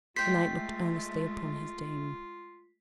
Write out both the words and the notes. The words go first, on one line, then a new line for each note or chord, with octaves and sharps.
The knight looked earnestly upon his dame.
G#3 A3 F4 C5 G5 B6 C7